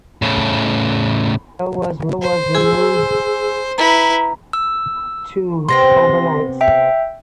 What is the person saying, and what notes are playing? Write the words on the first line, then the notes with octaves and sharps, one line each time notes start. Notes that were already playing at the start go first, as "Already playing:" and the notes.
Bonnell was moved to overnights.
A2 C#3
C5
G#4 G#5 E6
E4 B4 A#5
E6
C3 B3 C4 C6 A#6
E5 G5